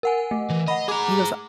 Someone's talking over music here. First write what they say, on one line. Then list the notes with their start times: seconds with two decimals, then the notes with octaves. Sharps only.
he goes, uh
0.03 A#4 F#5 G#5
0.31 A3
0.50 E3
0.68 D#5 F#5 B5
0.89 G#4 A#5 D6